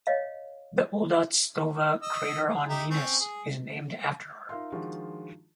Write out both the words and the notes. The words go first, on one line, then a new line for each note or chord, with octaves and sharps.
The Udaltsova crater on Venus is named after her.
C#5 D#5 F5
D#5 E6
G#4
D#4 G4 E5
C4 C#4
G#4
D#4 F4 A#4 E5 F5 C6
D#3 F3 G#3 D4 F4 F#4